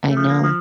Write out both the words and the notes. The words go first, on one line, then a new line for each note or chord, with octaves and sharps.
I know.
A3
F3
A#3
F3